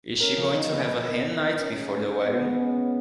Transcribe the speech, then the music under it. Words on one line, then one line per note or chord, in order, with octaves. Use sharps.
Is she going to have a hen night before the wedding?
C#4 A#4
F3
D#4
B3
B3
A#4
A#4
A#4
C#4
G#3
G#3
G#3
G#3 B3
G#3
C#4
C#4